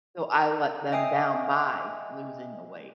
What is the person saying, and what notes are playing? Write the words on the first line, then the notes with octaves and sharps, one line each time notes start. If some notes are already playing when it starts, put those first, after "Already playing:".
so I let them down by losing the weight.
D#5 E5 G5 G#5 D#6 C7